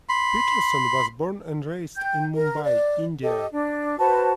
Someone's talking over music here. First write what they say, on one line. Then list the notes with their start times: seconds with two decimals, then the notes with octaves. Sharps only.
Peterson was born and raised in Mumbai, India.
0.09 B5 C6
1.96 G5 G6
2.36 A#4
2.64 D5
3.23 G4 A4 D#5
3.51 D4
3.99 F#4 B4 C5 A5